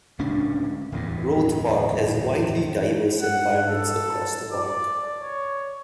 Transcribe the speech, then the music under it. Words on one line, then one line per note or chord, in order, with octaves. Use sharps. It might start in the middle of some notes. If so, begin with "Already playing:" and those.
Roath Park has widely diverse environments across the park.
D1 C#2 C#4 D4
D1 E2 G2
F#5
A4
D5
C#5